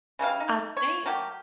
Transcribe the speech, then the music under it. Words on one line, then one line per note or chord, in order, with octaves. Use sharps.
I think
C#3 E3 G3 F5
D#4
C#5
F#3 A3 A#3 G4